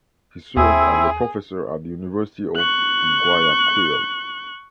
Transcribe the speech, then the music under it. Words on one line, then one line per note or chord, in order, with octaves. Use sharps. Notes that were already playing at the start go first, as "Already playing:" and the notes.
He served as a professor at the University of Guayaquil.
D#2 C4 E4 G#4 E5
C#6 F#6